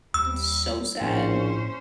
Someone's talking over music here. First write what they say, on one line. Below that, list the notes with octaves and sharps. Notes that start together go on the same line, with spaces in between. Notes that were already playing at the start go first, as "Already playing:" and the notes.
It's so sad.
D#2 G3 E6
A#1 A2 C#4 C5